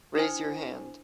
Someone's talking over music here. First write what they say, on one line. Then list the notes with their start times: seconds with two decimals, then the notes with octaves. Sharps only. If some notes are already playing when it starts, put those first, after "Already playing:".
Raise your hand.
0.15 D4 E4 C5 G#5